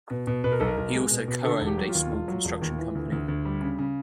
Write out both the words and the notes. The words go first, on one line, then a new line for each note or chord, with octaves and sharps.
He also co-owned a small construction company.
B2
B2
B2 B4
A#4
B1 A4
A#4
B1 A#4
G#3
B2
B2
D3 A4
E1
G4
F#3
F4
D#2
E1 F4
F#3
E1
D#2
E3
D2
D2
D2
G3
C#3
C#3